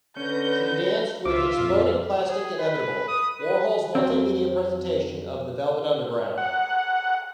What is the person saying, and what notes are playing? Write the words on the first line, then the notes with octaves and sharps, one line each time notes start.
She danced with "Exploding Plastic Inevitable", Warhol's multimedia presentation of the Velvet Underground.
D3 C#4 B4 G6 A#6
C#2 F4 E5 F5 D6
F2 A#2
G#4
B4
D#6
B4
F2 F#3 C4
F#5